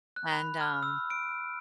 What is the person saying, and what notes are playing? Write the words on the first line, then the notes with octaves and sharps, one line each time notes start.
And, um
F#6
B5
F6
E6
D7